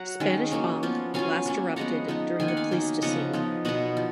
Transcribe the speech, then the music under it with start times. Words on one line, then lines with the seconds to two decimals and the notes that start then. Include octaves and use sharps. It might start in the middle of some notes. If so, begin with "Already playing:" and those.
Spanish Bonk last erupted during the Pleistocene.
Already playing: F#3 F#5 A#5
0.20 D#3 G#3 C#4
0.51 F#3 A#3 C#4
0.83 F3 B3 F4
1.14 F#3 C#4 F4 F5 G#5
1.46 F#3 A#3 C#4
1.76 F3 G#3 B3 F#5 A#5
2.08 F3 B3 D#4
2.40 D#3 A#3 F4 G#5
2.48 F#5
2.57 F5 G#5
2.71 F#3 A#3 D#4
3.02 C#3 F3 B3 D#4 D#5 F#5
3.33 F3 B3 D#4
3.65 B2 F#3 B3 D#5 F#5
3.97 F3